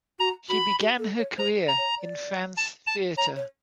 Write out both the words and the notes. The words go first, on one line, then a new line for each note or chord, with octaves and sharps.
She began her career in France Theater.
F#4 A#5
F#4 B5
G4
A4
C#5
C5 A#5
A#5
C#5
D5
A5
A5
C#5 A#5
C#5